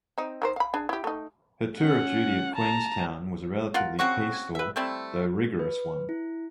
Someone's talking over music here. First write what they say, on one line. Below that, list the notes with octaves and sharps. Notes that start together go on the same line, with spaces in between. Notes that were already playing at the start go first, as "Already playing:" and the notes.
Her tour of duty at Queenstown was a relatively peaceful, though rigorous, one.
C4 D#4
D#3 A#4 C5
F5 B5
D4 G#4
E4 G4
A3 D#4
C#4 F#5
A5 A#5
F4 A#4 F#5
C#3 C4 F#4 C#6
B4 E5
G3 A3 C4 E4
B4
E4